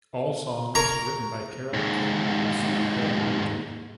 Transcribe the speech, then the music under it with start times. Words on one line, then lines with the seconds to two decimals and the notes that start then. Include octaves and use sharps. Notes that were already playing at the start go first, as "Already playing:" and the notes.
All songs written by Carole King except where noted.
0.75 A#4 C#5 A#5
1.74 D#2 G#2